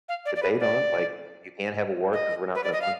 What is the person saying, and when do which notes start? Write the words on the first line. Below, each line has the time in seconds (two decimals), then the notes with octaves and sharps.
debate on? Like, you can't have a war 'cause we're not gonna fun
0.09 F5
0.25 D5
0.36 D5
0.43 B4
0.60 D5
2.13 D#5
2.55 B4
2.64 D5
2.73 D#5
2.82 F5